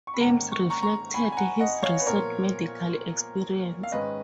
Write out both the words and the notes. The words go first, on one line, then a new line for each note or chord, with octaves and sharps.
Themes reflected his recent medical experience.
C#6
B5
G#2 D#3 A#3 C#4 F#5 A#5
C#6
A#5 C#6
A#5 C#6
G#5 B5
G#5
F#5 A#5
D#5 F#5
C#5 F5
B4
A#2 F3 B3 A#4 C#5
F5
G#2 D#3 G#3 C#4 B4 D#5